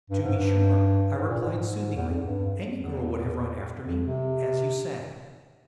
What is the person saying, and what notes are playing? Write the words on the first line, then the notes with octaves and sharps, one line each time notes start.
'To be sure,' I replied soothingly, 'any girl would have run after me, as you say.'
G2
G#2
G2
G#2
A#2
G#2
E2
F2
G2
E2
F2
C3